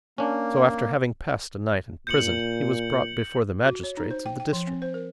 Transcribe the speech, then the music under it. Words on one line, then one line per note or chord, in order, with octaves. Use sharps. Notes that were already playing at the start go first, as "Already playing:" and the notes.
So, after having passed a night in prison, he was brought before the magistrates of the district.
A#3 C#4 D4
A#2 G6 C#7 F#7
F#4
C#5
D#4
C5
G5
G5
F3
C4
C5
A#4